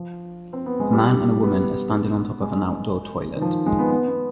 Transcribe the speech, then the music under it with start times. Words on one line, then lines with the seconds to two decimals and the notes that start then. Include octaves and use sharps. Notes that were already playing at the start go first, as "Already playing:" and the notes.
A man and a woman are standing on top of an outdoor toilet.
Already playing: F3
0.53 C4
0.66 B3
0.80 G#3
0.93 G3
1.43 B3
2.42 G#3
3.36 D#3
3.41 F3
3.66 G#3
3.79 B3
3.91 B3
4.08 B3